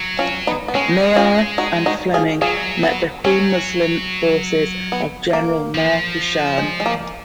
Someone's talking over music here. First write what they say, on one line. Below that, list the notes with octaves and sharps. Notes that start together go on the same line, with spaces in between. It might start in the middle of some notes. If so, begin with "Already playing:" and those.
Maillart and Fleming met the Hui Muslim forces of General Ma Hushan.
Already playing: F#3
C#4 F4
B3 D#4
B3
G#3 C#4
C#4 F4
D#4 F#4
D#4 F#4
F4 G#4
F#3 F4 G#4
B3
F#3 C#4
B3
A#3
F3
G#3
G#3
A#3